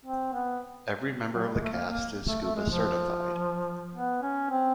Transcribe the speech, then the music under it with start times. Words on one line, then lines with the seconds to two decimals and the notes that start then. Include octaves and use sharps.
Every member of the cast is scuba-certified.
0.05 C4
0.33 B3
1.34 F#3
1.43 G3
1.53 G#3
1.63 A3
1.72 A#3
1.90 A#3
2.28 A3
2.42 A3
2.55 G#3
2.70 F3
3.95 B3
4.22 C#4
4.50 C4